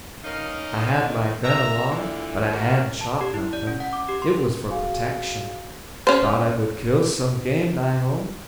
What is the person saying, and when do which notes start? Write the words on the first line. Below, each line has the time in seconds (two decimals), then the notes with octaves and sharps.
I had my gun along, but I hadn't shot nothing; it was for protection; thought I would kill some game nigh home.
0.25 C#4 D#4 A#4 D#5 F5
0.87 D#3
1.44 E5 A#5
1.92 A#2 D3 E3
2.53 A#3 C#4 F#4 G4 A#4
3.01 A5
3.21 G4
3.34 E4
3.53 D5
3.67 C#4
3.80 F#5
3.93 D6
4.09 G4
4.22 C6
4.71 F#4 G#4 F5 G#5
6.07 C#4 C5